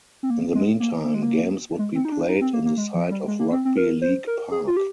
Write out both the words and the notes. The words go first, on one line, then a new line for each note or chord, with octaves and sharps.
In the meantime, games would be played in the site of Rugby League Park.
C4
A#3
G#3
A#3
A#3
G#3
A#3
G#3
C4
D#4
D4
D#4
C4
A#3
A#3
G#3
F3
G3
G#3
A#3
C4
C4
A#4
C5
A#4
G#4
F4
G4